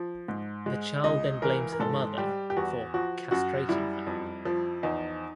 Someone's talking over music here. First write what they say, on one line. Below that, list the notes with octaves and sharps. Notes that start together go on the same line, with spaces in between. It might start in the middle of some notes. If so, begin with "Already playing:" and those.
The child then blames her mother for "castrating" her.
Already playing: F3
G#2
G#3
C#2 D#5
E3 A#4
A#4
G#2 A4
G3 G4
G4
E2 F#4
F3 F#4
F#2 F#4
G3 E4
F2
F3
E2 D#4